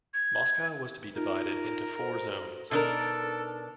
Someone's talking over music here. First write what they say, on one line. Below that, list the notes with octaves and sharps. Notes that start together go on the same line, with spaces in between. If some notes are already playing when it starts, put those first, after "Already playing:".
Moscow was to be divided into four zones.
G#6
D#4 F4 A#4
F#4 A4 C5
B2 D4 D#4 A4 A#4 F6